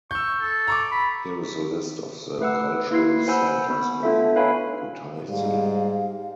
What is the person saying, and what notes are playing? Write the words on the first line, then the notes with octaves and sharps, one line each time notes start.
Here is a list of the cultural centers in Kutaisi.
C#6 E6 G6
A4
A#5 C#6 D6
B5
A3 B4 F#5 E6
A#3 E4 B4 C6 G#6 C7
C5 F#5 G#5 B5 E6 G6
B3 B5
B3 D4 F4 A4 E5
D#4 B4 C#5 F5 G#5 B5
G#2 G3 F5